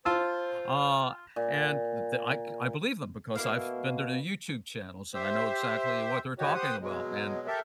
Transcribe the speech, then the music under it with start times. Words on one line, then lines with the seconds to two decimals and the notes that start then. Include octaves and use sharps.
uh, and th I c I believe them, because I've been to their YouTube channels, and I know exactly what they're talking about, and
0.05 F4 C5 A5 E6
1.36 A#2
3.35 B2 A#3 E4 F5
5.14 G4 C5 E5
6.39 G#2 D#4 F#4 G4 C#5
6.54 G4 C5 F#5 D#6
6.81 B2 F#3 G#3
7.47 G4 A4 A#4 E5